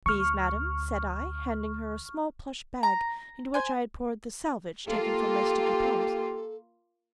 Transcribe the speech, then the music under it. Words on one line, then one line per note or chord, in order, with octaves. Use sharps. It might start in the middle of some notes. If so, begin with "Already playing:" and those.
"These, madam," said I, handing her a small plush bag into which I had poured the "salvage" taken from my sticky palms.
D2 C#6 F6
A#5
C5 G#5
A#3 F4 G4 A4